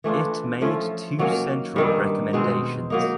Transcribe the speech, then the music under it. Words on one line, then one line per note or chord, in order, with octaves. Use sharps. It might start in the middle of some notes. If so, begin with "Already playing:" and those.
It made two central recommendations.
E3 A3 D4 F4
F3 A3 C#4 F4
D#3 F#3 A#3 C#4
G2 D#3 G3
B2 G#3 C4
F#3 A#3 D#4